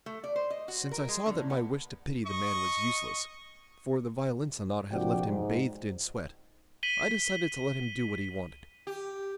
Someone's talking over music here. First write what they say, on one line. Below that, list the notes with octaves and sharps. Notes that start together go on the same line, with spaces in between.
Since I saw that my wish to pity the man was useless, for the violin sonata had left him bathed in sweat, I decided to let him do what he wanted.
A3
D5
C5
D#5
F#4
A#4
G#3
D3
A2
B3
D#5 C#6
A#1 C3 F3 F#4 D5 G5
G#2
B6 D#7 F#7 G7
G4